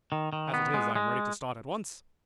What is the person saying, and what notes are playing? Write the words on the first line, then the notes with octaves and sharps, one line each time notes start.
As it is, I am ready to start at once.
D#3
D#3
B3
G#3
G#3